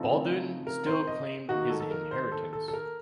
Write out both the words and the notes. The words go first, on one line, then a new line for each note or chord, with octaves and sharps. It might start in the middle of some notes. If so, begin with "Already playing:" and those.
Baldwin still claimed his inheritance.
Already playing: C#3 F3 A3 C4 D#4 A4
A#4
C5
D#5
D#3 A#3 D#4 F#4
A4
A4
A#4
C5
A4
A4
A4
A#4